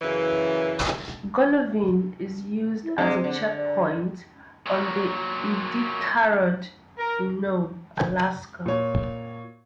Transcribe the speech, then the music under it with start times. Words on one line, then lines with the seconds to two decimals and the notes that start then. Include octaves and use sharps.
Golovin is used as a checkpoint on the Iditarod in Nome, Alaska.
0.02 F#2 C#3 E3
2.83 E4
2.98 G2 C3 G#3 C4
3.24 D3
3.57 D5
4.66 A#2 F#3
6.98 A#4
8.66 A#2 C#5